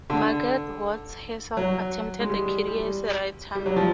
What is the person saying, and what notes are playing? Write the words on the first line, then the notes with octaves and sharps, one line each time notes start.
Margaret Watts herself attempted a career as a writer.
D3
F#3
G#3
G3
G3
G3
F#3
F3